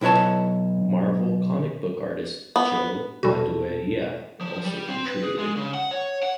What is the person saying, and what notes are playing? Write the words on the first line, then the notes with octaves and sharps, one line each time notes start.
Marvel comic book artist Joe Madureira also contributed.
B1 E4 B4 C#5 A5
B3
E2 B2 G3 F#4 A4
F3
G3
C4
B4
G#4
G#3
C#3
F#5
C#5
F#5